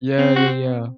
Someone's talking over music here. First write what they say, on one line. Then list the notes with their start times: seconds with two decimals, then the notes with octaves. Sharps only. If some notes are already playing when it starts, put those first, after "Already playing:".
Yeah, yeah, yeah.
0.18 C4
0.36 F#4